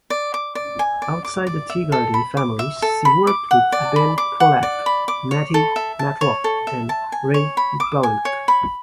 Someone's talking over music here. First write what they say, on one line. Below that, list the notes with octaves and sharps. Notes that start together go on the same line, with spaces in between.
Outside the Teagarden family, she worked with Ben Pollack, Matty Matlock, and Ray Bauduc.
D5
D6
D5
G#5
D5
D6
D5
E5
A4
B5
D6
E5
A4
B5
D6
F#5
D5
B5
D6
F#5
D5
B5
D6
C#5
A4
E5
A5
C#5
A4
E5
A5
G#5
C#5
B5
D6
G#5
C#5
B5